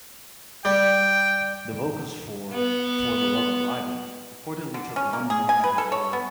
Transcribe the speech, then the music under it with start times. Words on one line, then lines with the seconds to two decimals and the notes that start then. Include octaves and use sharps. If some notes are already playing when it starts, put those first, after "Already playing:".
The vocals for "For the Love of Ivy" reportedly took one month to record.
0.65 G3 G5
2.52 B3
4.74 D3
4.96 C#4
5.13 A#3
5.30 G#4
5.49 G#5
5.64 B4
5.78 A4
5.92 C#5
6.13 B3